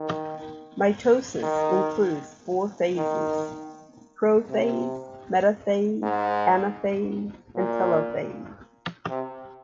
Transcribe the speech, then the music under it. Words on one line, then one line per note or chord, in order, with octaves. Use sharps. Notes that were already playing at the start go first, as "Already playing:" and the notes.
Mitosis includes four phases, prophase, metaphase, anaphase, and telophase.
Already playing: D#3
D#3
D#3
C3
G#2
A#2
C3